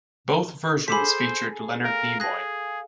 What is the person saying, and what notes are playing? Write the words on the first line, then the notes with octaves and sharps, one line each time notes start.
Both versions featured Leonard Nimoy.
G#4 A4 C5 B5 D6 B6
A#4 F5
G#4 F#6 A#6